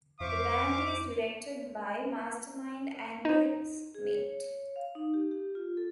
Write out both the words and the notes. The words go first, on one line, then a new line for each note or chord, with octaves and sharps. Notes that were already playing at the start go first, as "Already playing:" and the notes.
The band is directed by Mastermind Andy Schmidt.
F2 C5 E5 F5 C#6 D6
D#4
G#4
C#5
F5
D#4
G4
G4
F4
A4